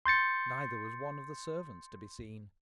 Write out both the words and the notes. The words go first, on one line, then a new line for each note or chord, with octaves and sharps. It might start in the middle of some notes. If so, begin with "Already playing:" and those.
Neither was one of the servants to be seen.
C6 G6 A6 C#7